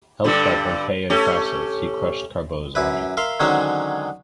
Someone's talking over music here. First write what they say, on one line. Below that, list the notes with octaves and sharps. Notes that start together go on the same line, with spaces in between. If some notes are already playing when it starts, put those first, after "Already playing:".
Helped by Pompée and Crassus, he crushed Carbo’s army.
G2 D3 G3
A3 C#4 G4
F#2 E4 B4
A#4 E5 F5 C6
D3 D#3 F#3 G#3 C#4 C5